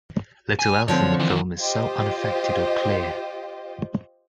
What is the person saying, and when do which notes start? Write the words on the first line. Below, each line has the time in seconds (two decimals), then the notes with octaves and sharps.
Little else in the film is so unaffected or clear.
0.59 G#5
0.88 D3 F3 C4 C#5
1.19 D#3 E3
1.59 F4 G4 C5 D#5